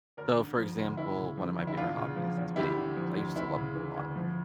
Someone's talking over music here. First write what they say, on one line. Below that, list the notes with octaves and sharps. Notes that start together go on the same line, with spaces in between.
So for example, one of my favorite hobbies is video games, I used to love them a lot.
D2 A#4 D5
D3
F3
D2
D2 E4
C#3
F3
D2
E4
E2 D4 F4
C#3
F3
E2
D2 E4 G4
D3
F3
D2
D2 E4
C#3
E3
D2
F3